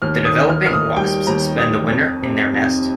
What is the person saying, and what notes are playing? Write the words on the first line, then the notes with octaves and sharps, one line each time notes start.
The developing wasps spend the winter in their nest.
D#2 F6
D#6
D#3
F6
A#3 F6
D#6
G3 G5
D#2 A#5
D#3 D#6
F2
C3
F2